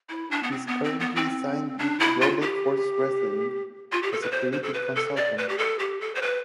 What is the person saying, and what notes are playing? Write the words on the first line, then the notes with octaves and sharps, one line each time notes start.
He is currently signed with Global Force Wrestling, as a creative consultant.
E4
D4
B3
C4
B3
C4
B3
C4
D4
E4
F4
G4
F4
G4
A4
B4
C5
C5
A4
B4
A4
D5
B4
G4
A4
G4
A4
C5
B4